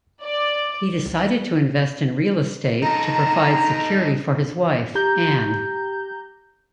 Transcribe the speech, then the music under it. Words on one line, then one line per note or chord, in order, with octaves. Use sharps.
He decided to invest in real estate to provide security for his wife, Ann.
D5
D#4 A4 A#5
G4 A#5 G6